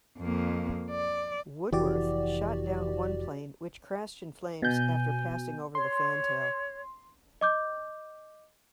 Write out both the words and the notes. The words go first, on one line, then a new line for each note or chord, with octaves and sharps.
"Woodworth" shot down one plane which crashed in flames after passing over the fantail.
F2 A#3
D5
F1 E3 F#4 G4 D5
B2 G#5 G6
C#5 C6
D#5 D6 G6